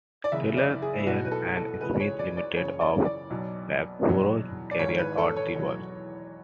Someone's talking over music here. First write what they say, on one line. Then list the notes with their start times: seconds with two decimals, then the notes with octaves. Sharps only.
Taylors Eayre and Smith Limited of Loughborough carried out the work.
0.24 D5
0.32 F#1 E2 C#3 E5
0.57 D5
0.82 G#4
0.98 E4
1.06 B1 B2 G#3 F#4
1.25 B4
1.32 A4
1.57 A4
1.81 C#2 C#3 E3 G#3 B4
2.00 C#5
2.19 D5
2.37 D5
2.56 F#1 E2 C#3 C#5
2.81 D5
3.05 D5
3.30 B1 B2 F#3
4.05 E2 B2 F#3
4.71 D5
4.79 G#1 G#2 E3 C#5
4.98 B4
5.18 A4
5.37 C#5
5.55 E2 B2 F#3